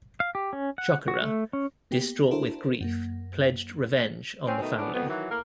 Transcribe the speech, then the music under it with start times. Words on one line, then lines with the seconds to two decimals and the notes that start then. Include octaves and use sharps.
Chocorua, distraught with grief, pledged revenge on the family.
0.20 F5
0.35 G4
0.53 C#4
0.78 F#5
1.08 F#4
1.21 A3
1.53 C#4
1.91 A#3 B3 G4
2.31 D4 E4 F#4 A4 A#4 C5
2.81 F#2 A#3
4.45 C4 C#4
4.61 B2 D#3 A3 D#4
4.78 A2 B3 C#4 D4
4.93 F2 B3
5.07 D#3 E3 F#3 F#4
5.30 A2 A#3 A#4